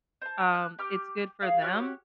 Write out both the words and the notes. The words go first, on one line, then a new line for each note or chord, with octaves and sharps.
um, it's good for them.
C5 A5
F#6 G6
G4 D6 F6
G#4 F5
F#4 G4 C#5 F6